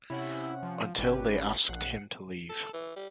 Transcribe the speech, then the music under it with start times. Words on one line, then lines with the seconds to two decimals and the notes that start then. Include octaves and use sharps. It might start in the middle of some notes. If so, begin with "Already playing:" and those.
Until they asked him to leave.
0.10 C3 C#4 E4 F#5
0.63 F3
0.98 G#1 C#4 G4 B4
1.69 A#1 F#5 C7 C#7
2.49 A4
2.74 E3
2.96 G3